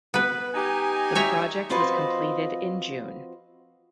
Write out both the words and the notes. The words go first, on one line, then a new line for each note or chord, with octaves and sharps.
The project was completed in June.
B3 B4
D#4 G4 G#5
C#5 E5 A#5
F3 C4 F4 F#4 B4 D#5